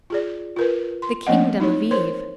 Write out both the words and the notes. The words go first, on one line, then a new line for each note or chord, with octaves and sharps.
The kingdom of Eve.
F4 G#4 D5
F4 A#4 B4
C6
F3 A3 A#3 C4 D#5 F#5
D#4 E4 C#5
A#4 C5 C#5 C6